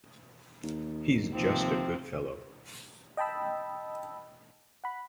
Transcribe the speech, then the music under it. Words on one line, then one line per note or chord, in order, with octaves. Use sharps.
He's just a good fellow.
D#2
D#2 C3 F3 C4
D#5 G5 A5 B5 E6
F#5 B5